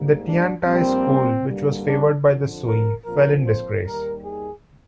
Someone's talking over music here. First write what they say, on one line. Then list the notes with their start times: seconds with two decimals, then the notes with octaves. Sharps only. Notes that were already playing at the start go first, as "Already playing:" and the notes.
The Tiantai school, which was favoured by the Sui, fell in disgrace.
Already playing: G#2 G3 A#3
0.25 D4
0.66 A#1 A#2 G3 A#3 C4
1.45 G#1 G2 D3 G3 A#3
1.86 D4
2.25 F2 D3 F3
2.66 A#4
3.05 A#1 A#2 F3 C4 A#4
3.45 C5
3.85 D#2 D#3 G3 A#4
4.25 G#4